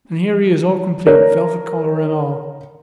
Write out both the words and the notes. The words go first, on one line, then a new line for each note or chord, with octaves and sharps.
And here he is all complete, velvet collar and all.
A#4 C#5